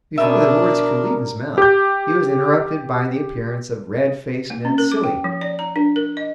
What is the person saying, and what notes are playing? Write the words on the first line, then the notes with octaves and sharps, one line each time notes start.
Before the words could leave his mouth, he was interrupted by the appearance of red-faced Ned Cilley.
B2 D4 A#4 E5
G4 G6
A#3
C#4
A#4
D6
G5
F3
D5
A#5
D4
A#4
D#5